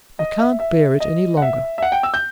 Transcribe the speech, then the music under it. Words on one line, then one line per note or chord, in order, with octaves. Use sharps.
I can't bear it any longer.
D#5
E5
E5
D#5
F#5
E5
E5
F#5
G5
E6
G6